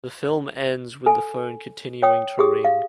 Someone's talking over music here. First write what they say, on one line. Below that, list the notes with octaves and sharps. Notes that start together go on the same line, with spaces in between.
The film ends with the phone continuing to ring.
A4 G#5
C#5 G5 D#6
G4 G#4 D#6
F5